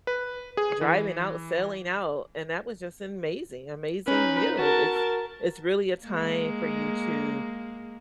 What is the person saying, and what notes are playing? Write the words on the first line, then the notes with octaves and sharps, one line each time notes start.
driving out, sailing out, and that was just amazing amazing view. It's it's really a time for you to
B4
G#4
E3
C#4 D#4 B4
F#4 A#4 A5
G#3 A#3